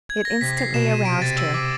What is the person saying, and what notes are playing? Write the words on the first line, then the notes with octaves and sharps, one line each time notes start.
It instantly aroused her.
G#6
A#6
C3 B6
C7
B2 E7
D#7
C3 D7
A6
E6
D6